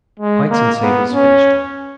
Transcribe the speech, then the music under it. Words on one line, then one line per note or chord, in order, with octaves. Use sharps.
Pikes and sabres finished him.
G#3
A#3
B3
C#4